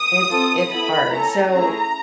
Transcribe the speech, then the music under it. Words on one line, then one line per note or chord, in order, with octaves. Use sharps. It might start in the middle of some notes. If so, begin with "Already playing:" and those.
It's it's hard. So
Already playing: D#6
C4 F4 A4
B3 E4 A4 B5
C#4 E4 A4 A#5
A3 C#4 E4 G#4 A#5